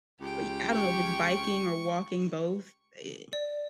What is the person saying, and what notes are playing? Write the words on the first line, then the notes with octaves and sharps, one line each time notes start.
I I don't know if it's biking or walking, both, it
C#2 G4 G5
C#6
D5